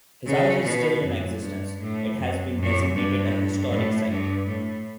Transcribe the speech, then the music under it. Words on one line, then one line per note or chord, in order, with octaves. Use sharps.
His house is still in existence; it has been designated a historic site.
C#3
B2
F#2
G2
A2
F#2
F#2
G2
A2
G2
A2